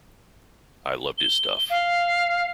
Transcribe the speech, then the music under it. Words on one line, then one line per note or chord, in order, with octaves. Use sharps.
I loved his stuff.
G7
F5